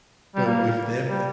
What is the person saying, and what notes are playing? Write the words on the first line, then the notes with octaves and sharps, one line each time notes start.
but with them e
G3
A#3
G3